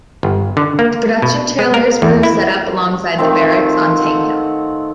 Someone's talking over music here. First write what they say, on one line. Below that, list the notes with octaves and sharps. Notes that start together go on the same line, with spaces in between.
The production trailers were set up alongside the barracks on "Tank Hill".
G1
D3
A#3
B2
G#3
A#4
E2
E4
D#3 F3 A3 C4
A4 F#5